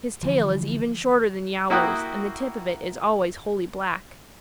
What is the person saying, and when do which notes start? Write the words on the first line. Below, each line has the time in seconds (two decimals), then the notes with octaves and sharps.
His tail is even shorter than Yowler's, and the tip of it is always wholly black.
0.23 D3 E3 F3
1.70 A#3 E4 F#4 G5 D#6 F#6